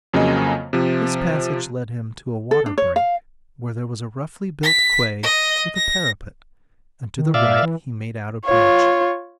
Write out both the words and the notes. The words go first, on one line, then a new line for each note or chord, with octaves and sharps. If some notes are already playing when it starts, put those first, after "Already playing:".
This passage led him to a water-brink, where there was a roughly built quay with a parapet, and to the right he made out a bridge.
F2 C#3 F#3 A#3 D#5 G#5
C3 F3
A4
D4
C#5
F5
B6
D#5
A#6
D#3
A#2 D5 E5 F5
E3
F4 C#5